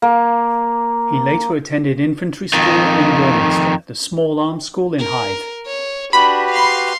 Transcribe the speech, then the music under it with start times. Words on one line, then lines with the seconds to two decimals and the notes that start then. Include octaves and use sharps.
He later attended Infantry School in Warminster, the Small Arms School in Hythe.
0.02 A#3
2.54 F2 D#3
4.99 A#4
5.66 C#5
6.13 D4 F#4 G4 B4 B5
6.51 F5 C6